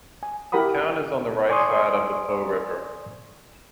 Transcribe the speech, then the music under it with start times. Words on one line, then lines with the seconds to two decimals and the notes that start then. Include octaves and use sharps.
The town is on the right side of the Po river.
0.23 G#5
0.52 E4 G4 A#4 F#5 B5 D#6
1.49 D5 G#5 C6 C#6 D#6